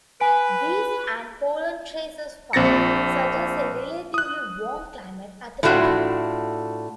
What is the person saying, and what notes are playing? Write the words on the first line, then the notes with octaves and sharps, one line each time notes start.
This, and pollen traces found, suggests a relatively warm climate at the time.
B4 G#5 D7
A#1 C4 A6 A#6 C#7
D#6 F#6
A2 A3 D4 F4 F#4